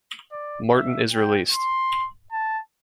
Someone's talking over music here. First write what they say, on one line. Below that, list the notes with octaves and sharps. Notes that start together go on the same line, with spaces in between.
Martin is released.
D5
E5
G5
C6
A5